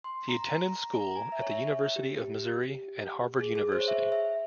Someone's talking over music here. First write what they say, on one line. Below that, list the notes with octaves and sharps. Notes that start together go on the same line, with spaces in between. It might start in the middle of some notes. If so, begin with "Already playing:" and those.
He attended school at the University of Missouri and Harvard University.
C6
A#5
A#5
A#5
A#5
G#5
E5
C#5
E5
G4
G#4
G#4
C5
C#5
E5
E5